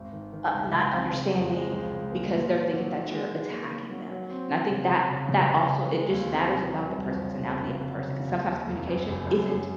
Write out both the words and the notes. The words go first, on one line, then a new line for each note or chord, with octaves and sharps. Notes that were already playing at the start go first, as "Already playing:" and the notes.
n uh, not understanding because they're thinking that you're attacking them. And I think that h that also it just matters about the personality of the person 'cause sometimes communication isn't
Already playing: G#1
D#3
D#3
C#2
C#2
C4
C#3
F2
G#3
C#2
C#2
A#3
A#2
A#2
F#3
D#3
G#3
D#3
A#3
A#3
F#3
F#3
C4
C4
C#3
C#3
C#3
C#3
C#3
C#3
G#3
D#2
C4
C3
F#3
C2
F2
C#3
F1
C#3
F#3
C#3
D#2
D#2
F1
F#2
F#1
F#2
F#2